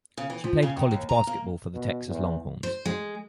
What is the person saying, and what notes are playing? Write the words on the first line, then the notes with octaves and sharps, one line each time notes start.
She played college basketball for the Texas Longhorns.
C#3
E3
F3
C#3
D#3
D#2
A#5
A#3
B2
E2
C5
G#3